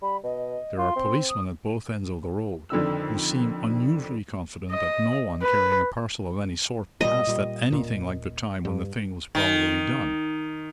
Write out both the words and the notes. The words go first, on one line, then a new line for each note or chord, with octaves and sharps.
There are policemen at both ends of the road, who seem unusually confident that no one carrying a parcel of any sort passed at anything like the time when the thing was probably done.
G3 B5
B2 D#5
F4 C6
C4
D#6
F2 D3 D#3 E6
D#5
B4
A#2 G3 D#5
A#2 G3
D#1 A#2
G2
D#3